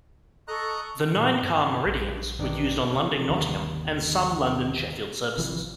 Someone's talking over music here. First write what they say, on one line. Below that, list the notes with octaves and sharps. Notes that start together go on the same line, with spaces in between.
The nine-car "Meridians" were used on London-Nottingham and some London-Sheffield services.
A4 D#5 A#5 C#6 F#6
A#2
G2
A#1
G2 D#3 D4
C#3 C#4
G1 D#2 C3 D#3
G#1 C3 E3 F3